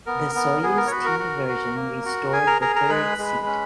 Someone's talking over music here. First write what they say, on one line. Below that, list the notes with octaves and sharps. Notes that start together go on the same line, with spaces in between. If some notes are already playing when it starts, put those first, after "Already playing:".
The Soyuz-T version restored the third seat.
B3 A#4
B3
B3 G#4
A#4
C#5
B3 F#4 B4
A#4
F#4
F#4
A#3
F#4
G#4 G#5
A#4 A#5
G#4 A#4 A#5
A#4 A#5
G#3 B4 B5
G#3
C#4